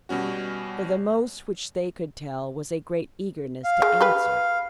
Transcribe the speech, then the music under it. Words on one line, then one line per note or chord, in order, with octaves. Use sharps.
For the most which they could tell was a great eagerness to answer.
B2 G3 C#4 F#4
F5
G#3
G4 B4